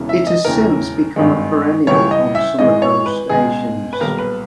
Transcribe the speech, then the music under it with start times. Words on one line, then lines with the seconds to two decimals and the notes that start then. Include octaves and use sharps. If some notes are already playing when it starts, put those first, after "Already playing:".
It has since become a perennial on some of those stations.
Already playing: E1 E2 C#3 E3
0.09 E5
0.27 D#5
0.45 E1 D#2 C#3 E3 A#4
1.16 G#1 G2 D#3 G#3
1.87 C#2 C#3 E3 G3 C#5
2.11 D#5
2.35 E5
2.58 G#1 G#2 E3 G#3 D#5
2.82 C#5
3.06 B4
3.29 C#2 B2 G#3 G#4
3.93 B4
4.00 B1 A#2 G3 A#4
4.18 B4